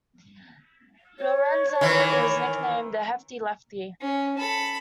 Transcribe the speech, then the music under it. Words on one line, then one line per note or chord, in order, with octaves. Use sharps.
Lorenzen is nicknamed the "Hefty Lefty".
C#5
D#3 E3
C#4
A4 B5